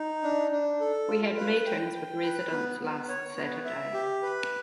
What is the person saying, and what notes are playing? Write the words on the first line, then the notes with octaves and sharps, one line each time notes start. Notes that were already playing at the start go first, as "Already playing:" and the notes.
We had meetings with residents last Saturday.
Already playing: D#4
D4
D4
A4
F4
B4
G5
G5
B4
B3
B3
C#5
B3
E5
G4
B4